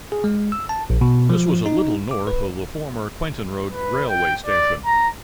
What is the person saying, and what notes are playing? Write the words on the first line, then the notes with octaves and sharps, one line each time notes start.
This was a little north of the former Quainton Road railway station.
G#4
G#3
E6
A5
A#1
B2
F3
D#4
D6
B4
B4
G5
D5
A#5